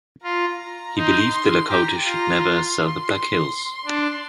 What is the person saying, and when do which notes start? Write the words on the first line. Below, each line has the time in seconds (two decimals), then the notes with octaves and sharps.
He believed the Lakota should never sell the Black Hills.
0.24 F4 A#5
0.97 D#4 C6
1.69 G4 A#5
2.05 F4 A#5
2.41 C6
3.85 D4